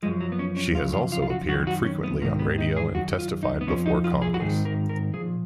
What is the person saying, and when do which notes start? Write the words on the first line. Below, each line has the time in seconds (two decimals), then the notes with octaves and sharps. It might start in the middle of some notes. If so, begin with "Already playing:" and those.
She has also appeared frequently on radio and testified before Congress.
0.03 F3 G#3
0.06 F#2
0.21 F#3
0.32 B3
0.39 C#4
0.57 C#4
0.75 F3 F4
0.78 F#2 C#3
0.93 F4
1.12 F4
1.22 F4
1.30 F#4
1.48 F#2 F#4
1.53 D#3
1.67 F#4
1.85 C#4
2.04 B3
2.21 G#2 A#3
2.25 D#3
2.39 B3
2.58 D#4
2.77 G#4
2.95 F#2 F#4
2.98 D#3
3.19 F4
3.43 D#4
3.61 B3
3.67 F2 F3 C#4
3.86 D#4
4.04 F4
4.22 G#4
4.34 F#4
4.40 G#2 D#3 G#4
4.65 A#4
4.89 A#4
5.14 A#2 F3 G#4